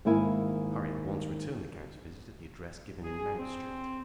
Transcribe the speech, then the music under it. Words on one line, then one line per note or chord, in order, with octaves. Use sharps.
Harry at once returned the count's visit at the address given in Mount Street.
G#2 D#3 A#3 E4 G#5
G#4
C4